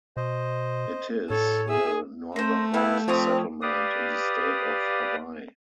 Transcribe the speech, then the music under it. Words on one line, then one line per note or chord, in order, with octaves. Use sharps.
It is the northernmost settlement in the state of Hawaii.
B2 C5 D#5
A2 A4 C#5
G#4 E5 E6
A3 A#4 C5
A#3 B3 E4 G4
F3 C4 G4 C#5 D5 D#6
G4 B4 D5 F5 D#6